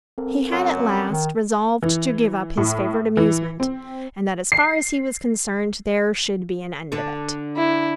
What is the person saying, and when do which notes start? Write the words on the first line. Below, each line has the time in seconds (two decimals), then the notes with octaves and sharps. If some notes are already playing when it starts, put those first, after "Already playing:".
He had at last resolved to give up his favourite amusement, and that as far as he was concerned there should be an end of it.
0.18 C4 A4 A#4
0.52 F#2 F#3
1.09 D#3
1.82 E3
2.57 A2
3.17 E3
3.60 C4
4.52 C7
6.92 D3 D4 A4
7.57 E4